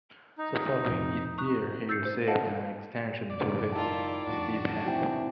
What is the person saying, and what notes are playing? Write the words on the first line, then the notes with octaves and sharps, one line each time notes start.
The following year he received an extension to his stipend.
D#4
F2 C3
A#5 C#6 D#6 F#6
E6 G6 A6 C7 C#7
C5
A4 D#5 F5 F#5 A5
F#1 F#2 D5
D#3 E4 F4 A5
F2 A2 D4 F#4
C3 E3 G4